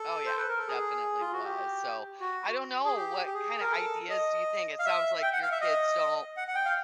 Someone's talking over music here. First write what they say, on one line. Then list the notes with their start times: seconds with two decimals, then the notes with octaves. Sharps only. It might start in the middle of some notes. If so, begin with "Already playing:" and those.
Oh yeah, definitely was, so, I don't know, what kind of ideas do you think, it sounds like your kids don't
Already playing: A4
0.26 C5
0.37 B4
0.48 A#4
0.59 A4
0.68 G#4
1.21 F4
1.33 F#4
1.44 G4
2.20 F#4
2.85 G#4
2.96 G4
3.26 G4
3.34 G#4
3.60 A#4
3.72 A4
4.10 D#5
4.79 F5
4.85 E5
5.23 G5
5.33 F#5
5.42 F5
5.52 E5
5.61 D#5
6.37 F#5
6.48 F#5
6.55 G5
6.65 F5